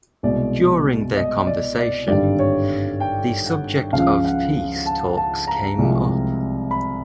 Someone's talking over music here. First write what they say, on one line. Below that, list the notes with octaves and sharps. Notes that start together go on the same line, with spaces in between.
During their conversation, the subject of peace talks came up.
C2 B2 G#3 D5
D#5
D5
D5
G#1 G2 D3 G3 D5
C#5
G5
F#5
C#2 C#3 F3 F5
F#5
A5
A5
A#5
C2 C3 F3 G#3
B5